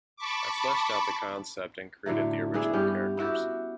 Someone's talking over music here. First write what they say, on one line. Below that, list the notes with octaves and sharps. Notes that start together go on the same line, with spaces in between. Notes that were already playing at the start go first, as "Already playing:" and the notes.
I fleshed out the concept and created the original characters.
A5 B5 C#6 D6
A2 D3 F#3 A3
B3 D4 E4 G#4
G2 C#4 G4
B3 E4 F#4 G4